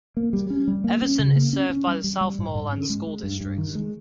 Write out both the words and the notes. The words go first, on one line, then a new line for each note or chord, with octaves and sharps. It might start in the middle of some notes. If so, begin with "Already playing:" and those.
Everson is served by the Southmoreland School District.
A#3
G3
C#4
G3
A#3
C#4
C#3
A#3
C#4
C#4
G3
G3
G3
G#2
G#2
C#4
G#3
G#3
G2
G2
D#3
G#3